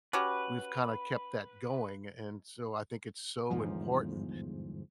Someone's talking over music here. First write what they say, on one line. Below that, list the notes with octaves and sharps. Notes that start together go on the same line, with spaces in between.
we've kinda kept that going, and so, I think it's so important,
C#4 F#4 G4 B4
G1 E2 G#2 F3